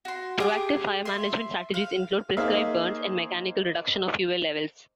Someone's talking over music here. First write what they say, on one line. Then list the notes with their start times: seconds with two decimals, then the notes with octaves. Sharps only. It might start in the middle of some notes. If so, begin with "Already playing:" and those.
Proactive fire management strategies include prescribed burns and mechanical reduction of fuel levels.
0.05 F#4 C6
0.38 G4 G#4 D6
1.05 E5 C6
1.74 F5
2.37 A#3 D#4 G#4 C5 E5 F5